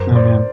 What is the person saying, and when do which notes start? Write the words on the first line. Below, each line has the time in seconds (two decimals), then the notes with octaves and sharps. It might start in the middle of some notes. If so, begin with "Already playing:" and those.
Oh man.
Already playing: F#2 A#4 C5
0.15 C5 D5